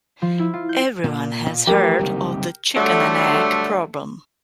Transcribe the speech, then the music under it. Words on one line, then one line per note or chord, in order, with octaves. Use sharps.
Everyone has heard of the chicken and egg problem.
F3
E4
F4
G6
A#2 A#3
A#2
F3 A3 G4 A#4
F#1 C2 D#3
D3 F#3 G3 A3